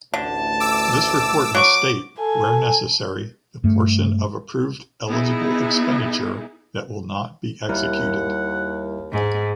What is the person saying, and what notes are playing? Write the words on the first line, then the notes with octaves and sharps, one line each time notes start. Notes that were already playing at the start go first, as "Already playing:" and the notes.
This report must state, where necessary, the portion of approved eligible expenditure that will not be executed.
A1 D2 D3 A5
D6 E6
F#3 C#6 D6
A4 G#5
G2 A3
B3 D#4 E4 G#4
D#2 G3 E4 A#4 F#5
G#2